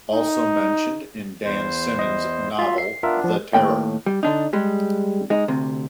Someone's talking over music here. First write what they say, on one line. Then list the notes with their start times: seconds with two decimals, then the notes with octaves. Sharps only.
Also mentioned in Dan Simmons' novel, "The Terror".
0.12 D#4
1.45 E2 C5
1.99 D#5
2.59 F#3 F4 E5
2.78 C7
3.03 B3 D4 F4 A#4 E5
3.24 F3
3.54 D#2 A2 A#3 G5
4.06 G3
4.23 D3 D4 D#4
4.53 G3 G#3
5.30 G#3 D#4
5.48 D2 C3